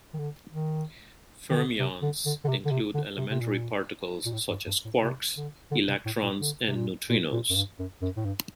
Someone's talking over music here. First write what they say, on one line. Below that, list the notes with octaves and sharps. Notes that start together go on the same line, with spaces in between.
Fermions include elementary particles such as quarks, electrons and neutrinos.
D#3
D3
D#3
D#3
D3
C3
D3
D3
D3
C3
D3
C3
D3
C3
C3
A#2
A#2
A2
G2
G2
A2
C3
D3
D3
C3
A2
A#2
D3
C3
A#2
A#2
A#2
F#2
G2
F#2
F#2
A2
G2